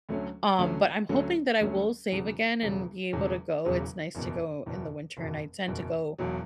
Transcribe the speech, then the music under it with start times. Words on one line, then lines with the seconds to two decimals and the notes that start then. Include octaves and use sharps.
um, but I'm hoping that I will save again, and be able to go. It's nice to go in the winter, and I tend to go
0.09 D2 D3 F#3 A3 C#4
0.58 D2 D3 F#3 A3 C#4
1.09 D2 D3 F#3 A3 C#4
1.61 D2 D3 F#3 A3 C#4
2.12 E1 E2 C#3 F#3
2.62 E1 E2 C#3 F#3
3.13 E1 E2 C#3 F#3
3.65 E1 E2 C#3 F#3
4.15 F#1 E2 B2
4.66 F#1 E2 B2
5.17 F#1 E2 B2
5.68 F#1 E2 B2
6.18 E1 E2 B2 F#3